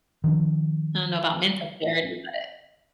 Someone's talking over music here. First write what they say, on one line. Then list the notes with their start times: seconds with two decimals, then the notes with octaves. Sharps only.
I don't know about mental clarity, but
0.24 D#3 F3 D4